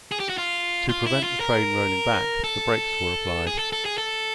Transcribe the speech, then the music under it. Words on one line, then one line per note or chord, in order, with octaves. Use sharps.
To prevent the train rolling back, the brakes were applied.
G#4
G4
F#4
F4
F4
E4
F4
A#4
A4
G#4
A4
A4
G#4
A4